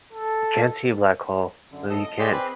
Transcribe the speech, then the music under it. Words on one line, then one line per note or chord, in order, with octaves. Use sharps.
Can't see a black hole. No, you can't.
A4
F#2 D3
A2 A4 D#5
D#5
G#4 D5 G5 C6
C4 B4